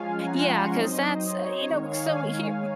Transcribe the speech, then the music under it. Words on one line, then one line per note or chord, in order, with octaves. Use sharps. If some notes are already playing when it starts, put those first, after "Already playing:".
Yeah, 'cause that's uh, you know, c uh, so, here
Already playing: F3 G#3 C#4 F4 F5 G#5
G#5
F#5 A#5
G#5 C6
C#6
G#5 C6
G#5 C6
F#3 C4 D#4 C5 D#5
C#5
C#5
C5
C#5
D#3 G#3 D#4 C#5
C#5 F5
F5 G#5
F5 G#5